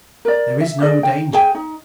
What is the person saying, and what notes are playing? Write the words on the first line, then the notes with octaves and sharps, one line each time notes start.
"There is no danger."
A#4 D5
E5
G#4 D5 D#5
G5
G#4 G5 G#5
D#4